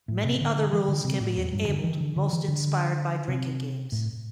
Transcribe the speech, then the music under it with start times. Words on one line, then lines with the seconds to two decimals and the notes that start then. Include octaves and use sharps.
Many other rules can be enabled, most inspired by drinking games.
0.08 A2
0.24 C3
0.41 D3
0.73 E3
0.88 D3
1.04 C3
1.20 A2
1.37 E2
1.53 G2
1.68 D3
1.84 E3
2.00 D3
2.16 D3
2.33 E3
2.48 D3
3.28 C3
3.92 A2